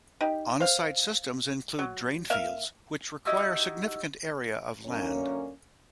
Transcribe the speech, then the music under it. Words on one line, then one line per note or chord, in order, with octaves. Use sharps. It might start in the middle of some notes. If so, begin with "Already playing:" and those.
On-site systems include drain fields, which require significant area of land.
D#4 G4
C5 F5
F#3
A#3 E5 F5
D#4 E4 F#4 G4
F#2 D3 A#3 C#4